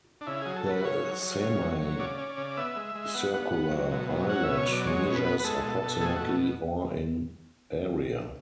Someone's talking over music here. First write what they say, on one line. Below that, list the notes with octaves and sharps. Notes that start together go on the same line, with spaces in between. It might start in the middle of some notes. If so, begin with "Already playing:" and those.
The semicircular islet measures approximately or in area.
D4
C#3 E4
F#3 G#4
A4
F#3 B4
C#3 C#5
F#3
F#3
C#3
F#3
F#3
C#3 D5
C#4
C#3
B3 E5
G#3
G#3
B3 F#5
B3
F#5
B3
F#3
B2
F#3
C#4 F#5
E5
B2
C#5
F#3 D5
G#3 C#5
B2
B4
B3
B4
G#3 A4
B2
B2
A3 G#4
F#4
B2